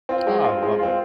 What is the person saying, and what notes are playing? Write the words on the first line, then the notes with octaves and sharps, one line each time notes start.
Ah, love it.
C4 F4
G#3
C4 F4
G#3
C4 F4